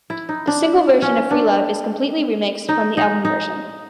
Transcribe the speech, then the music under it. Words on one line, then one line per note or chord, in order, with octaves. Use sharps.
The single version of "Freelove" is completely remixed from the album version.
E4
D#4
D4
C#4
D4
D#4
D#4
D#4